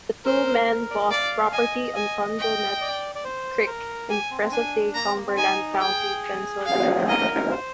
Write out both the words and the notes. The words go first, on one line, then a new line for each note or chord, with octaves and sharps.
The two men bought property on Conedogwinet Creek in present-day Cumberland County, Pennsylvania.
A#4 C5
A#4
D5
D#5
D5 F5
D#5 G#5
G#5
G5
D5
D5
C5
A#4
G4 G#5
C4
C4
D4 G#5
A#3 A#5
C4
A#3
C4
D#4 G#5
G4
G#4 G5
F5
A#4 D#5
C5